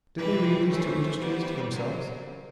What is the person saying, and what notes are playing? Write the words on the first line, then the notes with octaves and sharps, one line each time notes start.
Did they leave these two industries to themselves?
C3 E3 G3 C4 B4
E3 A3 C#4 C5
E3 G3 B3
C#3 F#3 A#3 C5